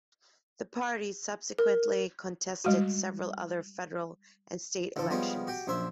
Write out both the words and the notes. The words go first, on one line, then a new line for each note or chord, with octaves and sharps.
The party subsequently contested several other federal and state elections.
A#4
G3 G#3 F#4
D3 F3 A4
F3 G3 G#3 B3 F4 C#5
F#4 G4 G5
A#1 F#2 C5 E5 C6